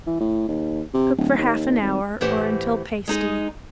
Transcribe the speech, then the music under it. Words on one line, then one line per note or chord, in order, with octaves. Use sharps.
Cook for half an hour or until pasty.
E3
A2
D#2
C3
D1
D#2
G#1
A2 E3 G4 C5 F#5
G#3 D#4 G#4